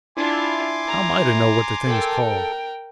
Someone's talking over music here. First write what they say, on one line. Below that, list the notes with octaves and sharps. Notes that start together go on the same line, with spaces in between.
'How am I to know what the thing's called?
D4 E4 F4 G#5 C6 D6
A#5
A4 A#4 G5